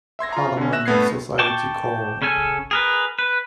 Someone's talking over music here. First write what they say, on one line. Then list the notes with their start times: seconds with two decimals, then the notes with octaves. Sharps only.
Harmonic society choral.
0.19 E5 C6 G#6 A#6
0.33 F4 A#5
0.57 D3 C#4
0.72 E5 F#6 A#6 E7
0.86 G2 A3 B3 G#6 C7
1.39 G5 A5 C#6 D6
2.22 C#3 C#4 A4 G#5
2.71 G#4 A#4 B4
3.19 B4